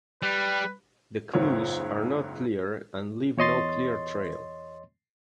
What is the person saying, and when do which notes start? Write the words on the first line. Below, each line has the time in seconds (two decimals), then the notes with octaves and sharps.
The clues are not clear and leave no clear trail.
0.23 G3 B4
1.33 F#1 C#2 G#2 C4 F4 C#5
3.37 E2 C#5 D#5 C6 A6